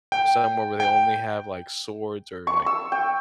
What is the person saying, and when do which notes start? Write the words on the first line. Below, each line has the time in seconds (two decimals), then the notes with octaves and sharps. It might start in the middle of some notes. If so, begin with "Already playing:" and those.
somewhere where they only have, like, swords or, like
0.12 G5
0.80 G5
2.47 C#6
2.66 E6
2.92 G5